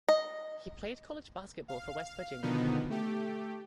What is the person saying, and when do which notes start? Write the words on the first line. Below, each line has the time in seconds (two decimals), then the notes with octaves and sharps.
He played college basketball for West Virginia.
0.09 D#5
1.68 F5
2.42 B2 D3 D#3 F3 B3 D#4
2.90 A3 G4